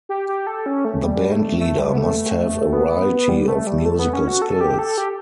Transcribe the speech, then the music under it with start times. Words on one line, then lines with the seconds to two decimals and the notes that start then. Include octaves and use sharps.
The bandleader must have a variety of musical skills.
0.09 G4
0.28 G4
0.47 A4
0.66 C#4
0.85 A3
1.04 G3
1.32 A3
1.60 A3
1.78 G3
1.93 B3
1.98 A3
2.73 B3
3.29 G3
3.48 A3
3.67 G3
3.85 A3
3.99 B3
4.13 C#4
4.28 F#4
4.42 A4
4.61 G4
4.79 A4
4.98 G4